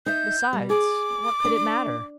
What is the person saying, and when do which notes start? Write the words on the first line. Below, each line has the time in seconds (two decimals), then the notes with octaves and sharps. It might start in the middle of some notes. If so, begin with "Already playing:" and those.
Besides, what could it matter?
0.06 D#4 E5 G6
0.53 G3
0.70 G#4 D6
1.45 D4